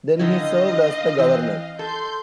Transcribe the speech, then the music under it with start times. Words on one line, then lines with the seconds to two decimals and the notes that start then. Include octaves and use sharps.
Then he served as the Governor.
0.19 D3 D#3 E4 D#5 F5
1.18 E3 C4
1.79 A4 C6 G6